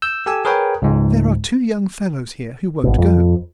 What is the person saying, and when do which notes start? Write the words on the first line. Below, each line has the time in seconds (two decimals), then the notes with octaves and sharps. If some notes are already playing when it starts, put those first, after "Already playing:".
"There are two young fellows here who won't go."
0.02 E6 G6
0.26 G4 A4 G#5 E6
0.45 G#4 A#4 B4 C#5 G5
0.82 C#2 G#2
2.83 G#1 B2
2.98 F2